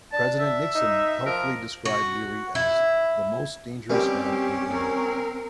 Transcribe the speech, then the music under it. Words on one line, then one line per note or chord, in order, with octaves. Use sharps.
President Nixon helpfully described Leary as "the most dangerous man in America".
D4 A5
E5
D#4
F3 A#4
F#4
E4
B2 D#3 G3 C4 C#4 G4
C4 A#4